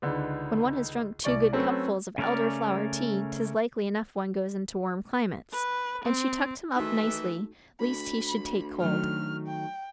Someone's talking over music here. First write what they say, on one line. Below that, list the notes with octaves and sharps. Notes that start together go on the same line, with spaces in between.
"When one has drunk two good cupfuls of Elder-flower tea, 'tis likely enough one goes into warm climates"; and she tucked him up nicely, least he should take cold.
C#2 D3 D#3 B4
C2 D5 C#6
F#3 A3 C4 C#4 A4 B4
C#3 A3 C#4 A#4 D5
B4
C4
D#3 E3 A3 D#4 F#4 E5
D2 B5
D#3 F#3 A3 F6
G5